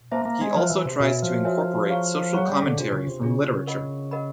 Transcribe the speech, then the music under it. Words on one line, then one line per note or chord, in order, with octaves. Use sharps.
He also tries to incorporate social commentary from literature.
A#3 C5 E5 A5 C6
A#3
G#3
F3 C5 E5 A5 C6
E3
C3
B2 F#4 A#4 C#5 E5 G#5
F3
F#4 A#4 C#5 E5 G#5
G#4 C#5 F5 A#5 C#6
F#3 G#4 C#5 F5 A#5 C#6
G3
D3
C3 D4 F4 G#4
C#3
C3
C#3 D4 F4 G#4
A#4 D#5 F#5 B5
A#4 D#5 F#5 B5